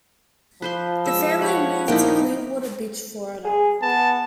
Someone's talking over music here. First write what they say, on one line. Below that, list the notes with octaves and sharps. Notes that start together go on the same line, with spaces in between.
The family moved to Clearwater Beach, Florida.
F3 B4 C5 C6
G#3 E6
C#5 F#5 B5
A#1 A#3 D#4 E4 G5
G#4
B3 A5